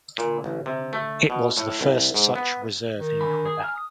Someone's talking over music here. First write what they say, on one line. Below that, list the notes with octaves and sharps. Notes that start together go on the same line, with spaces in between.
It was the first such reserve in Quebec.
A#2
A1
C3
A3
B2
A2
C2
G#2
B3
D#3
D3 G#5 B5
G#4
G#5 A#5 F6
D#6